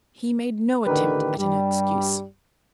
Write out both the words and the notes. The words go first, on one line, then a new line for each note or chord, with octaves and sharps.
He made no attempt at an excuse.
A1 D3 D#3 G4 A#4 B4
G2 G3